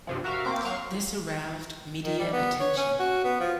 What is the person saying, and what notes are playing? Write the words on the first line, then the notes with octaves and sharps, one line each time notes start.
This aroused media attention.
G2 C3 F3
F#4 A#4 E5 F5
A#3 C4 D6
F#3 F5 C#6 E7
D#3
G3
B3
C#5
C#4
F#4
B3
F3